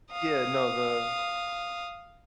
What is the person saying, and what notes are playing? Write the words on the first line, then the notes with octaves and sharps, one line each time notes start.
Yeah, no the
F5 D#6